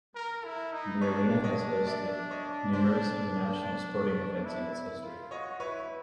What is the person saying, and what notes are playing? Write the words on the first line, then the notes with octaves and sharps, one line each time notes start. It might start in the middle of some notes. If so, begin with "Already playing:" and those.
The arena has hosted numerous international sporting events in its history.
A#4
E4
D#4
D4 B4 C#5
C#5 D#5
D5 E5
C#5 D#5
D4 C5 D5
E4
E4
F4
F#4 C#5 D#5
E4 B4 C#5